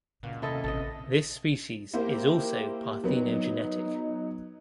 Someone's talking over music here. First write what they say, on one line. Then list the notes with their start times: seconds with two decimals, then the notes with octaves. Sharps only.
This species is also parthenogenetic.
0.23 C#2 A#2 F#4 F5
0.42 D#1 C3 E4 A4 D#5
0.64 A1 A4 D#5
1.93 A#3 E4 G4 C5
3.04 F#3 B3 D#4